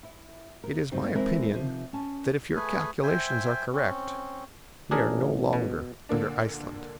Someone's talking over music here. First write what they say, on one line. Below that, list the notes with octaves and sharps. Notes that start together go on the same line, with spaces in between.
"It is my opinion that if your calculations are correct we are no longer under Iceland."
E4
A#4
G2 F#3 G3 C4 D#4
E3 G#3 C4 D#4 E4 A#4
C3 D#3 F3
C#4 A5
A3 G#4 B4 G#5
C5 E5 G5 G#5
C4 C#4
A1 D4 G#4 A#4
B2
A#2 D3 A#3 D4